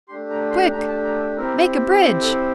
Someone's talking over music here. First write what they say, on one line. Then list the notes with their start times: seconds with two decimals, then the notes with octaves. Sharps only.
Quick!--Make a bridge!
0.08 A3 D4 G4 C6
0.30 A#5
0.51 C6
0.72 A3 D4 G4 A#5
0.88 A5
1.04 A#5
1.19 E5
1.36 C4 E4 G4 A#4
1.99 C4 E4 G4
2.21 A4